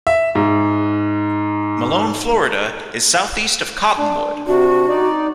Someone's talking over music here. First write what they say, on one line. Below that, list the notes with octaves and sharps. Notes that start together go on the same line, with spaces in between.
Malone, Florida, is southeast of Cottonwood.
E5
G#2
D4
C3 D4 F#4
D#4 D5